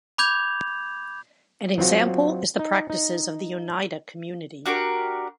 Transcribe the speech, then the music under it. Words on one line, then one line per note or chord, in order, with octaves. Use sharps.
An example is the practices of the Oneida Community.
B5 D6 G6 G#6 F7
F#3 C4 F4 F#4
D#4
D#4
D4 F#4 G4 A#4